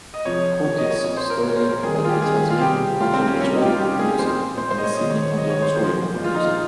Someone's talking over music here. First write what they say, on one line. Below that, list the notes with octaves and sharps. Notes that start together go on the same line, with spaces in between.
Koukias studied at the Tasmanian Conservatorium of Music and the Sydney Conservatorium of Music.
D#5
C3 F3 G#3 C#5
C3 F3 G#3 C#5
D#5
C#5
A#2 G#3 C#5
C5
A#4
A#2 G#3 C#5
C5
A#4
F2 D#3 G3 G#4
G#4
F4
G4
F2 D#3 G3 G#4
F4
C3 G3 G4
C3 G3 F4
C4
C#4
C3 G3 C#4
D#4
G4
F4
C3 G3 G4
G#4
A#2 G#3 C5
A#2 G#3 C5
C5
D#5
C#5
C3 D#3 G#3 D#5
C#5
C#5
C3 D#3 G#3 D#5
C#5
C5
A#2 F3 G#3 C5
A#2 F3 G#3
F4
D#4
F4